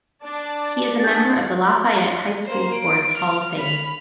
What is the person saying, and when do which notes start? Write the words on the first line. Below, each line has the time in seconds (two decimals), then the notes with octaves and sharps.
He is a member of the Lafayette High School Sports Hall of fame.
0.23 D4 D5 A5
1.00 D4 F#4 G#4 G6 A6
2.45 A#3 C5
2.74 D7
3.17 F6
3.58 B5 F7